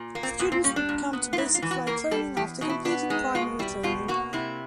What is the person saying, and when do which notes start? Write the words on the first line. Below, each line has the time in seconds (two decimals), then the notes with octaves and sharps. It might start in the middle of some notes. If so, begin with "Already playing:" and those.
Students would come to Basic Flight Training after completing Primary Training.
Already playing: A#2
0.15 A#3
0.23 C4
0.39 A#2 B3
0.52 C4
0.64 G3 C#4
0.76 D4
0.89 A#2
1.13 B3
1.33 F4
1.38 G#2 E4
1.55 F4
1.62 E3
1.71 F#4
1.87 A#3 A#4
2.11 G3 A4
2.37 E2 G4
2.61 B2 D#4
2.69 E4
2.85 B3 D4
3.10 G#3 D#4
3.35 B2 F4
3.59 G3 E4
3.83 B2 F4
4.08 A#3 F#4
4.33 C3 E4